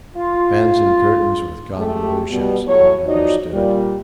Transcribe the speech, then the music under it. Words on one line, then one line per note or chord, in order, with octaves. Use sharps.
Bands and Curtains with convolutions--not understood.
F4
G#3 A3 G4
B2 G3 B3
A2 F#3 A4 C#5
E2 F3 D#4 F#4 D5 D#5
A#2 G3